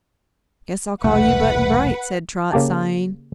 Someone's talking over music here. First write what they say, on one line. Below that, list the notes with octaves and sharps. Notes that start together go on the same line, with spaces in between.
"Guess I'll call you Button-Bright," said Trot, sighing.
E1 C2 A3 B4 F#5
C#3 A#3 G4 A5